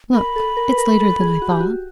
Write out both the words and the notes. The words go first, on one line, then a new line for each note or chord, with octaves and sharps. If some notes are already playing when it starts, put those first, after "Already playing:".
'Look! it's later than I thought.
A#4 B5
A4
A#4
B4
A#4
A4
G#4
F#4
G4
F#4